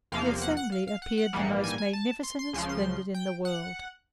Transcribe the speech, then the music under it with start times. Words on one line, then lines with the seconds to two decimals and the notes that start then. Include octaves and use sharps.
The assembly appeared the most magnificent and splendid in the world.
0.12 E2 C3 F3 A#3 F5
0.42 F#5
0.57 F#5
0.72 F5
0.87 F5
1.02 F#5
1.18 F#5
1.33 A#1 G#2 E3 G3 A#3
1.64 G#5
1.78 G#5
1.93 A5
2.23 C6
2.39 C6
2.53 C#2 C#3 F3 C6
2.69 C6
3.14 G5
3.45 F#5